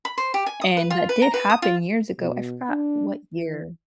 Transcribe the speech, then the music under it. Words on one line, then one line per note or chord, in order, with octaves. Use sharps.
and that did happen years ago I forgot what year
B5
C5
G4
G#5
D#6
B4
F4
B4
A#5
B4
D#6
F4
B2
D4
E3